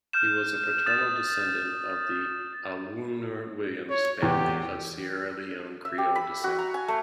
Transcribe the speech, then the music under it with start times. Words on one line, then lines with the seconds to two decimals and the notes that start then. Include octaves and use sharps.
He was a paternal descendant of the Awoonor-Williams family of Sierra Leone Creole descent.
0.13 F6 G6 E7
0.86 D#6 A6 E7
3.90 C#5
4.23 E2 G4
5.85 E5
5.98 G4
6.16 B5
6.44 F#4
6.59 A#5
6.74 G#5
6.88 A3